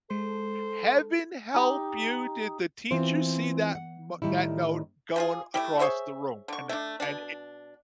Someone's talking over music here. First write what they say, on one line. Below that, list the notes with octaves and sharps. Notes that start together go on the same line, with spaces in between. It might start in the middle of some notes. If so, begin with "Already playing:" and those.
heaven help you did the teacher see that ma that note going across the room and a and
G#3 A4 C5
D#4 G4
E3 B3 C4 F4 C5
F#5
A2 D#3 G3 E4
F3 F4 G#4
A3 E4 G4
G#4 C5 C#5 E5
D3 C#6
A3 D4
B2 D4